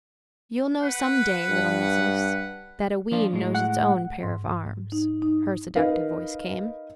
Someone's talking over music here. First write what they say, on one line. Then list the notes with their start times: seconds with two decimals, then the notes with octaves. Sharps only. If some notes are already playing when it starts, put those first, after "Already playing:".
"You'll know some day, little missis, that a wean knows its own pair of arms," her seductive voice came.
0.82 B4 F#5
1.51 G2
3.12 F3 D4 F4
3.33 A2 G#3
3.54 F#5
4.23 G#2
4.92 D#4
5.22 D#4
5.76 D#4 A#4 B4 F5